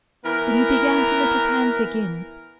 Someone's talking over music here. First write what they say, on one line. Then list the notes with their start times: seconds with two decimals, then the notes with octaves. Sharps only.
Then he began to lick his hands again.
0.24 E3 B3 A#4